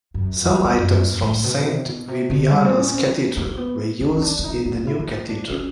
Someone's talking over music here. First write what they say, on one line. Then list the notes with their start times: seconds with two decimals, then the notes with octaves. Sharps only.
Some items from Saint Vibiana's Cathedral were used in the new Cathedral.
0.14 F#2
0.36 F2
0.50 F2
0.64 F2
0.79 F#2
0.89 G2
0.93 F#2
1.22 A2
1.44 B2
1.65 C3
1.86 B2
2.08 C3
2.30 D3
2.51 G3
2.65 C4
2.79 C#4
2.94 C4
3.37 A#3
3.57 B3
4.00 C#4
4.17 C#4
4.22 D4
4.39 D4
4.44 D#4
4.66 D#4
4.87 E4
4.99 E4
5.07 D#4
5.29 D4
5.50 C#4